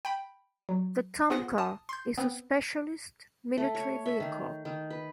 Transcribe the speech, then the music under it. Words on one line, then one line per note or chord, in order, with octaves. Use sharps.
The Tomcar is a specialist military vehicle.
G5 B5
F#3
B3 F4 G#4 C5 F#5 A#6
A5 D#6
C6 G6
B3 C4
A3
C#5
E5
D#3
D#3
B4